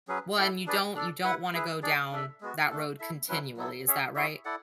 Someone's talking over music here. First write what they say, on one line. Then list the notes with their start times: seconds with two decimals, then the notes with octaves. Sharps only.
Well, and you don't you don't wanna go down that road continually, is that right?
0.08 F#3 C#4 G#4 B4
0.37 E4 A4 D5 F#5
0.66 D4 G#4 B4 D5
0.95 D4 A4 D5
1.24 E4 B4 F#5
1.54 E4 G#4 B4
1.82 D4 G#4 D5
2.12 D4 A4 E5
2.41 G#3 B3 F#4
2.70 A3 D4 A4
2.99 E4 A4 E5
3.28 F#3 C#4 E4 B4
3.57 F#3 B3 E4 A4
3.87 C#4 G#4 C#5 E5
4.15 E4 G#4 C#5 E5
4.45 E4 A4 D5 F#5